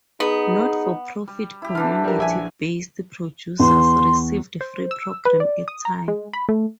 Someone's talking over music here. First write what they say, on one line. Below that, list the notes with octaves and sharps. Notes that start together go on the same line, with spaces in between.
Not-for-profit community based producers received free program airtime.
B3 D#4 G#4
G3
E4 G4
D3 E3 D4 F6
G3 A#4
A#1 E5 G#5
E2 C6
C5
E6
B4
D5
D#6
A#5
G#3
B5
A3